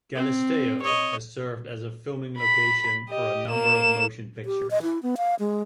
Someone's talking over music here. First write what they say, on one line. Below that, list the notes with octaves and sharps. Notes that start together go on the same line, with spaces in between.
Galisteo has served as a filming location for a number of motion pictures.
C4
C#5 D#5
B5 B6
G4 D#5
A#3 E7
G4
D#5
E4
B3
F5
G#3